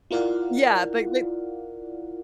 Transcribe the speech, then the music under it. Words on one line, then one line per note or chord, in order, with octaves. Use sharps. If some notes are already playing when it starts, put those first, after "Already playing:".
Yeah, like they
E4 F4 A#4 D5 F5 F#5